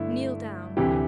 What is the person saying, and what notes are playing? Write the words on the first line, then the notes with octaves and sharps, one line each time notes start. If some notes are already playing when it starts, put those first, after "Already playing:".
"Kneel down."
Already playing: G2 D3 A3 E4
D2 C3 E3 G4